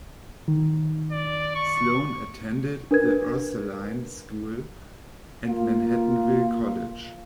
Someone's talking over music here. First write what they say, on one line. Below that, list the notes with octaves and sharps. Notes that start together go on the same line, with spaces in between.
Sloan attended The Ursuline School and Manhattanville College.
D#3
D5
C#6
D4 A#4 B4 G#6
A#3 F4